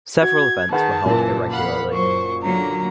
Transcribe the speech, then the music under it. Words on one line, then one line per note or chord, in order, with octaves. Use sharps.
Several events were held irregularly.
F#4 G#6
D#3 G#4 B4 F#5 A5
F#1 A#2 E3
F5 F#5 B5
F#2 F#3 C5 C#6
D3 F#3 A#3 A#5